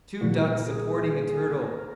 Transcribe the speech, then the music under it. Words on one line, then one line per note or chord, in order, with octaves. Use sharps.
Two ducks supporting a turtle!
C2 A#2 F3 F#4
A#4
A#4
G#4
A#4